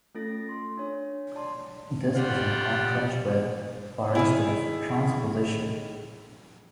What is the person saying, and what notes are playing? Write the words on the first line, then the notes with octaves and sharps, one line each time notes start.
This is in contrast with, for instance, transposition.
A3 C#4 F4 A4 A6 A#6
C6
D4 C#5
D5 A5 C6
G3 F4 F#5
D#3 E4 G#4